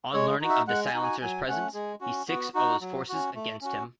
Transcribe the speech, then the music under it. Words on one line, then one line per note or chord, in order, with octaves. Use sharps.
On learning of the Silencer's presence, he sics all his forces against him.
G#3 C#5
D#4 F#4
E5
G#3 F#5
G#5
D#4 F#4
G#5
F#3 G#5
A3 C#4 F#5
G#3 G#4
C#4 F#4
B3 F#4
D#4 F#4
F#3
C#4 F#4
A3
C#4 F#4